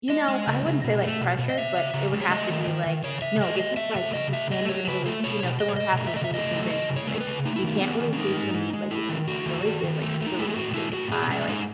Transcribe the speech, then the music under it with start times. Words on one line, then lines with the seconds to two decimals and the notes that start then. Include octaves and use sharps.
you know, I wouldn't say, like, pressured, but it would have to be, like, "No, this is, like, you can't even really," you know? Someone would have to really convince me, like, "You can't really taste the meat," like, "it tastes really good," like, "really, just give it a try," like,
0.10 G#3 D#5
0.28 G#3
0.47 C#3
0.66 C#3
0.84 B2
1.02 A3
1.21 B2
1.38 B2
1.49 D#5
1.58 C#3 E5
1.76 C#3
1.94 C#3
2.13 G#3
2.21 C#5
2.30 A3 D#5
2.50 D#3
2.67 D#3
2.86 D#3
3.04 C#3 C#5
3.22 C#3 E5
3.41 F#3 D#5
3.59 A3 D#5
3.77 A3 E5
3.95 C#3 E5
4.14 C#3 D#5
4.33 A3 E5
4.51 A3 D#5
4.69 F#3 C#5
4.87 C#3 B4
5.06 A3 A4
5.24 B2 C#5
5.43 B2
5.60 B2 D#5
5.68 C#5
5.76 B2 D#5
5.97 A3
6.07 E5
6.16 C#3 D#5
6.25 E5
6.34 A3 D#5
6.52 F#3
6.71 C#3 D#5
6.89 C#3
6.96 C#5
7.07 G#3
7.15 A4
7.20 B4
7.27 C#3
7.45 A3 D#4
7.56 E4
7.63 D#3 D#4
7.81 D#3 B3
8.00 D#3
8.13 C#4
8.17 G#3 D#4
8.37 G#3
8.54 G#3
8.73 G#3
8.91 A3 E4
9.09 D#3
9.28 A3 F#4
9.46 D#3
9.65 D#3
9.84 D#3
10.01 A3
10.21 A3
10.26 D#4
10.39 G#3 E4
10.50 G#4
10.56 A2 F#4
10.74 G#3 E4
10.93 A2 F#4
11.11 B2 G#4
11.22 B3
11.30 G#3 C#4
11.48 G#3 D#4